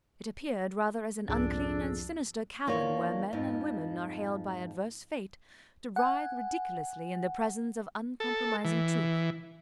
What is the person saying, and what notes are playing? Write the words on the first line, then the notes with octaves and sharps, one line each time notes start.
It appeared rather as an unclean and sinister cavern where men and women are haled by adverse fate to writhe ridiculously in the presence of uncompromising truth.
C2 F2 G#2 D4 G#4 E6
E2 A#3 D4 F4 C#5
F2 G#2 F3
F#5 G#5
A4
E3